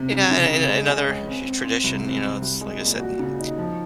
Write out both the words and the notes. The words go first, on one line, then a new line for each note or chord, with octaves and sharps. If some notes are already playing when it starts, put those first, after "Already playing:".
yeah, a a another tr tradition, you know, it's like I said, m m
Already playing: C3
C#3
C#3
C#3
G#3
C#4
C#2
C4
C4
C4
C2
C4
C3
C2
G#3
A#2
F#4
C#3
D#4
F3